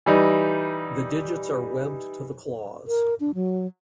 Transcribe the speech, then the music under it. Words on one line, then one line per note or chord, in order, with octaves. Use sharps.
The digits are webbed to the claws.
E3 G3 D#4
A#4
D4
F#3